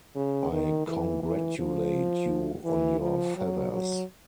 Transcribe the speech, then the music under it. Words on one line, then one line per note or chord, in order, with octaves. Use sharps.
I congratulate you on your feathers.
C#3
D#3
E3
E3
F3
E3
F3
F#3
F#3